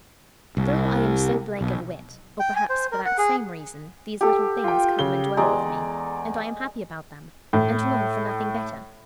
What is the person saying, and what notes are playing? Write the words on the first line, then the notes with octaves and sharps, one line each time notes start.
Though I am so blank of wit, or perhaps for that same reason, these little things come and dwell with me, and I am happy about them, and long for nothing better.
C2
B1
G5
G#5
C5
A#4
F#5
G#4
G4 A4
F4 G5
C#3 G7
E2 G#3 D5 A#5
A2